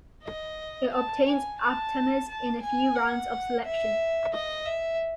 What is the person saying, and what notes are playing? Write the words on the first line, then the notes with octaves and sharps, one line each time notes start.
It obtains aptamers in a few rounds of selection.
D#5
A5
G#5
A5
A5
G#5
F#5
E5
D#5
E5